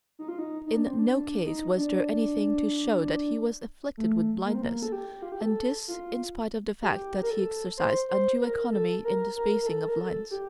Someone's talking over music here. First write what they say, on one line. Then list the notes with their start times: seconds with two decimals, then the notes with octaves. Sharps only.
In no case was there anything to show that he was afflicted with blindness and this in spite of the fact that he exercised undue economy in the spacing of lines.
0.19 D#4
0.28 F4
0.39 D#4
0.66 D#4
0.77 D4
0.87 C4
0.99 D4
1.14 D4
1.45 D#4
1.77 D4
3.98 A3
4.45 A#3
4.55 C4
4.62 A#3
4.82 A4
4.92 G4
5.22 F4
5.32 G4
5.41 A4
5.88 F4
6.82 G4
7.23 A#4
7.30 A4
7.77 C5
8.09 C5
8.41 A#4
8.72 A4
9.04 A#4
9.36 A#4
9.61 A#4
9.67 A4
9.88 A#4
9.99 A4
10.31 G4